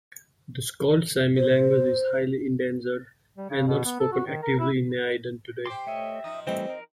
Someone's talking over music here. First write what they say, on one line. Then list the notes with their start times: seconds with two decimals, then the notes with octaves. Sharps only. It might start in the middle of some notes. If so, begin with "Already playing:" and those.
The Skolt Sami language is highly endangered and not spoken actively in Neiden today.
1.37 C5
3.37 G3
3.50 C#3
3.67 B2
3.85 B3
4.00 A4
4.12 F#4
4.26 D#3
4.42 A#4
4.59 E4
5.66 G4 C5 C6 D6
5.87 A3 C#5 D#5 E5
6.24 F#2 F3 D#4 D#6
6.47 E3 G3 A3 C4 D#5
6.70 A#4